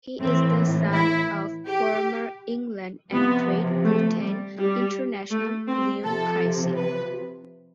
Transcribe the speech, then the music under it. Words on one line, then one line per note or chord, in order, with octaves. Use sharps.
He is the son of former England and Great Britain international Leon Pryce.
A2 E3 C4
E4
G4
C3 F3 B3
A3
G3
G3
A3
C4
C3 F3 A4
B4